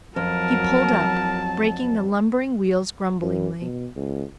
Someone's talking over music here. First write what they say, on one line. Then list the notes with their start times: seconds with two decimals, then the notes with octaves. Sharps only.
He pulled up, braking the lumbering wheels grumblingly.
0.16 F2 F#3 A#4 A5
3.22 F#2
3.62 B2
3.96 C#2